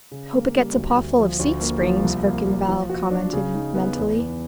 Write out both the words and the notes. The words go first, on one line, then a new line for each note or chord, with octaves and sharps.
"Hope it gets a paw-full of seat-springs," Verkan Vall commented mentally.
C#3
A#3
G3
D2
D2
F3
D2
A#3
F3
C2
A#3
G3
F3
F#4
D4
C#3
D#4
B3
E2
E2